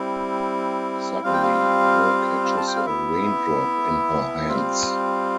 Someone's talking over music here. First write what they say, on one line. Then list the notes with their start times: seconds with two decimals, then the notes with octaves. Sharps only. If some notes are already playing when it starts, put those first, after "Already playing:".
Suddenly, a girl catches a raindrop in her hands.
Already playing: G3 C4 E4
1.24 G3 C4 F4 F5
1.33 G5
1.43 F5
2.57 A5
2.67 G5
2.76 F5
2.86 B3 E4 E5
4.48 G3 C4 F4